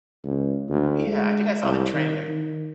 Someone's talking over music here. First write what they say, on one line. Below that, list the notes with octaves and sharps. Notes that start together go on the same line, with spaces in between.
Yeah, I think I saw the trailer.
C#2
D2
G#3
C2
D#3
D#3